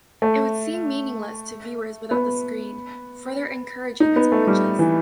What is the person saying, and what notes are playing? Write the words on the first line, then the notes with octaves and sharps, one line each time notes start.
It would seem meaningless to viewers without the screen, further encouraging its purchase.
A3
B3
D#4
B3
A3
G3
E3